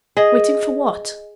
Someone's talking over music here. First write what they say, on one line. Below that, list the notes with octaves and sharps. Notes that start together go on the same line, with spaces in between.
Waiting for what?
G#4 D#5